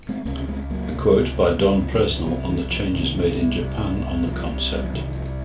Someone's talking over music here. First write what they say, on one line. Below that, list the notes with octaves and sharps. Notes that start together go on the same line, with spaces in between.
A quote by Don Presnell on the changes made in Japan on the concept.
G#3 C4
C#2 C3 A#3 C#4
C#4
G#3 C4
F#3 A#3
C#2 C3
C#2 C3 F#3 A#3
F3
D#3 F#3
F3
C2 C3 F3
D#3 F#3
F3
C2 C3 D#3
C2 C3
C2 C3 F3
F3
C2 C3 D#3 F#3
D#3
F3